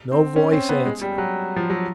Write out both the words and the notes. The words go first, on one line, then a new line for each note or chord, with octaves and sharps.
No voice answered him.
C4
C#4
C4
B3
G#3
G3
F#3
F3
F#3